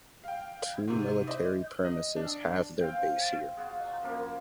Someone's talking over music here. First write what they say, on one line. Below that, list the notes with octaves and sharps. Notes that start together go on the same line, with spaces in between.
Two military premises have their base here.
F5 G5
G#2 C3
E4 C5 D5 D#5
D#5
D4
C4 F5 G5
F4 F#4 G#4
F#2 F3 A#3 F4